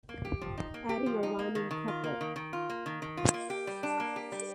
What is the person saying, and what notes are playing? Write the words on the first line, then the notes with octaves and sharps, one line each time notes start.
Adding a rhyming couplet.
A#3
G4
F3
D#4
A#3
G4
F3
D#4
A#3
D#3
D#3
F4
A#3
D#3
D#3
F4
A#3
D#3
D#3
F4
A#3
G4
G3
D4
A#3
G4
G3